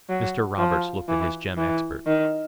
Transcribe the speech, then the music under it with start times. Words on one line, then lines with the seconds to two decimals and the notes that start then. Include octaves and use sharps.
Mr. Roberts looked at his gem expert.
0.09 F#3
0.58 F3
1.09 E3
1.57 E3
2.07 D#3